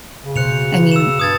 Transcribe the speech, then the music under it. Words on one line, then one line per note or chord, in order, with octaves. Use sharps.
I mean,
C#3
B2 C5 F#6 C#7 F7
E6 E7
G2 D#6 G#6 A6